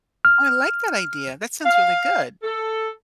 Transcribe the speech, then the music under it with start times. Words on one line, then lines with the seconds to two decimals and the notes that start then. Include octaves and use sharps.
Oh, I like that idea. That sounds really good.
0.25 F6
1.65 F5
2.43 A4